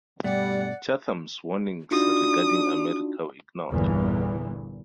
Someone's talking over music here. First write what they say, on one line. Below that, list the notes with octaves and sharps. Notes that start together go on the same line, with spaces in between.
Chatham's warnings regarding America were ignored.
G2 B2 G3 A3 D5 F#5
D4 D#4 F4 F#4 D#6
G1 E2 A#2 E3